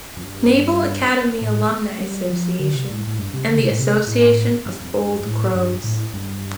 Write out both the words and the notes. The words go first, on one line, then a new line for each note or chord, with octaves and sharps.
Naval Academy Alumni Association and the Association of Old Crows.
F2
G2
A2
A3
G3
F3
D3
C3
A2
A2
G2
C3
D3
C3
A2
C3
A2
G2
F2
G2
G2
A2
G2
A2
G2